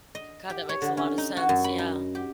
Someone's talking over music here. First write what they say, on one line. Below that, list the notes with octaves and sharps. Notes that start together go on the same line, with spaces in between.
God, that makes a lottta sense, yeah.
D#5
G4
C#5
D3
C#4
D#4
F#4
F#2
B5
D#4
G4